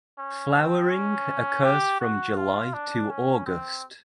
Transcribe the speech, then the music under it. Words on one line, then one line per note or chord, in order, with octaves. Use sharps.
Flowering occurs from July to August.
C#4
C4
C#4
G4
F#4
F4
D4
C#4
C4